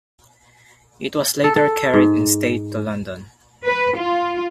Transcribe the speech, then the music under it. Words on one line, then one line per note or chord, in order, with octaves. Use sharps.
It was later carried in state to London.
A4
A4
G#2
B4
F4